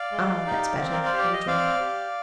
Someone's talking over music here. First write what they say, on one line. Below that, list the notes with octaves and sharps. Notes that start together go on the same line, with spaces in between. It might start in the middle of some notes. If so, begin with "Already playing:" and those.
"Ah! that's better," he rejoined.
Already playing: D5 F5
G#3
D#4 G4
C4
A#4
C5
G4
D5
D#5
C4 D5 F5
G4